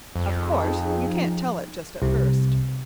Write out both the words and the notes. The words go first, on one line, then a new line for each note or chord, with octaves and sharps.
Of course you can't tell it just at first.
F2 F3 D#4 G#4
C2 C3